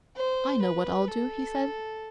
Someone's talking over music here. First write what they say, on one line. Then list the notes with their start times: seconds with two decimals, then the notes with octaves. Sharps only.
"I know what I'll do," he said.
0.16 C5
0.62 B4
1.08 A4